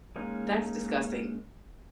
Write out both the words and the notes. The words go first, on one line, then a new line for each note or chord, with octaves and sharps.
That's disgusting.
G#3 A#3 C#4 D#4